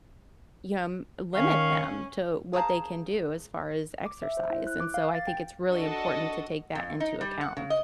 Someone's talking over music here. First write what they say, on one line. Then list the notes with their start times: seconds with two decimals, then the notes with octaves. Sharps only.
you know, m limit them to what they can do as far as exercise, and so I think it's really important to take that into account.
1.34 D#3 C#4 F5 C#6
2.53 G#4 C5 F5 A5 A#5
4.06 D6
4.23 E5
4.37 C5
4.50 E4
4.67 F#6
4.80 D6
4.94 F5
5.15 A6
5.27 G5
5.71 D4 F#4 A4 D#5
6.75 F2
7.00 D#4
7.21 G3
7.41 F#5
7.57 C#3
7.70 D#5